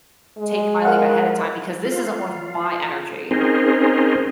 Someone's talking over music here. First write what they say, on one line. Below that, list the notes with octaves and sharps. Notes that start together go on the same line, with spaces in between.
take my leave ahead of time because this isn't worth my energy."
G#3
A#4 F5 F#5
F4
C4 C#4 D#4 G#4 A#4 C5